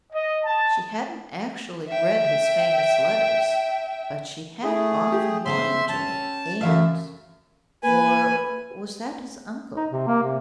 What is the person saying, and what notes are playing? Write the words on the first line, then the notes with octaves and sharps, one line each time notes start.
She hadn't actually read his famous Letters, but she had often wanted to, and--or was that his uncle?
D#5
A5
E5 G5
A3 E4 G#4
G4
C#3 B3 C5 E5 C6
C#4 C#5 A5
F#2 E3 A3 E5 F5
A#3 B4 G#5
D#4
C3
A#3
C3